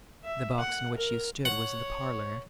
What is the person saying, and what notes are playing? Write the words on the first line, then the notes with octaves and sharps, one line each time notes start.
The box in which you stood was the parlor.
E5
F#5
A#4
C#5 F#5